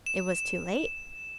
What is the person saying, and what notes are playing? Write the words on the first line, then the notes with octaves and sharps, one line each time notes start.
"It was too late?"
E7